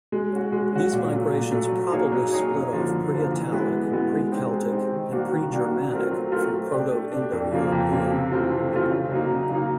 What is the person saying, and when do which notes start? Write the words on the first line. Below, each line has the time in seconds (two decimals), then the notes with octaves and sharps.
These migrations probably split off Pre-Italic, Pre-Celtic and Pre-Germanic from Proto-Indo-European.
0.12 G#3
0.32 C#4 F#4
0.52 G#3
0.72 C#4 F#4
0.92 A#2
1.12 F#3 A3
1.33 A#2
1.52 F#3 A3
1.72 F#3
1.92 A#3 D#4 G#4 C#5
2.12 F#3
2.32 A#3 D#4 G#4 C#5
2.52 F#2
2.72 D3 F3 A#3
2.92 F#2
3.12 D3 F3 A#3
3.31 E3
3.52 G#3 B3 E4
3.72 E3
3.91 G#3 B3 E4
4.12 G#3
4.32 C4 D#4 G4
4.52 G#3
4.72 C4 D#4 G4
4.92 D#3
5.12 G3 A#3 D4 F#4
5.32 D#3
5.52 G3 A#3 D4 F#4
5.72 F#3
5.92 A3 C4 F4 A#4
6.12 F#3
6.32 A3 C4 F4 A#4
6.52 A3
6.71 D4 G4
6.92 A3
7.11 D4 G4
7.32 F2
7.51 C#3 F3 A#3
7.72 F2
7.92 C#3 F3 A#3
8.12 C3
8.31 E3 A3 C4 F4
8.52 C3
8.72 E3 A3 C4 F4
8.92 C#3
9.11 F#3 A#3 D#4
9.32 C#3
9.51 F#3 A#3 D#4